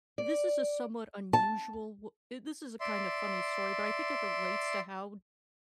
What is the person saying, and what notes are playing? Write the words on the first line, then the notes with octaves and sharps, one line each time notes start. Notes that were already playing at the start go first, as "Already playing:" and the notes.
this is a somewhat unusual w uh, this is a kind of funny story, but I think it relates to how
D5
A5
D5 E5 C6